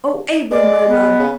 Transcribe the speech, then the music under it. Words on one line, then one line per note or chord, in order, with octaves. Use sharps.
Oh, Abram, my love!
G#3 D5
B3
C#3